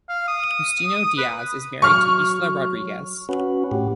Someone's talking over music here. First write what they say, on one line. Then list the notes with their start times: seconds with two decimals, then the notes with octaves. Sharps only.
Justino Diaz is married to Ilsa Rodriguez.
0.09 F5
0.28 D#6
1.18 B4
1.82 F#3 C#6 F6
3.29 C#4 F#4 B4
3.71 A2 G4